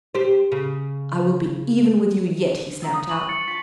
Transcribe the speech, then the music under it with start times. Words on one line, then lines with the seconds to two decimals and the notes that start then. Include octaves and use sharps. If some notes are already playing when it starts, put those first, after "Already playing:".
'I will be even with you yet,' he snapped out.
0.15 G4 C5
0.52 C#3
2.82 F4 E5 A#5
2.94 D#6
3.09 C#6 F#7
3.28 C#6 A6 C#7
3.48 F4 A5 B6